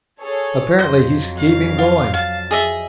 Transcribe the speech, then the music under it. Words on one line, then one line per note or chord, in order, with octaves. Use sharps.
Apparently he's keeping going.
G#4 A4 C#5
F2 F#3 C5 D#5
F5
F4
F5 A5
G#4 D#5 E5